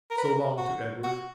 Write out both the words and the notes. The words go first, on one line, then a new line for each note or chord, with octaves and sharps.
"So long," to Edward.
A#4
B4
A#4
F#4
F#4